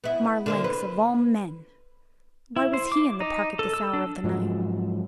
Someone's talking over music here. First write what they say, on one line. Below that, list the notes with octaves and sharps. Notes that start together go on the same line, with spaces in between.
Marlanx, of all men! Why was he in the park at this hour of the night?
B3 E4
D3 A#3 C4
B4
E4
C5
D6
D#4
A4
E6
D4
G#2 F3 F#3